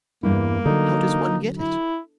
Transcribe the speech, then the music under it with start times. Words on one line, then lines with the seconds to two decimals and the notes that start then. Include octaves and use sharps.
"How does one get it?"
0.23 E2 G2 A#3 E4
0.66 D3 F#3 D#4 A4
1.59 E4